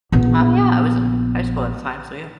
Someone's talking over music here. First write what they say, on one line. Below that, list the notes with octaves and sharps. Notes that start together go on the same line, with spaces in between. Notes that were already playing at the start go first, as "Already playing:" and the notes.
Oh yeah, I was in high school at the time so, yeah.
A#1 B3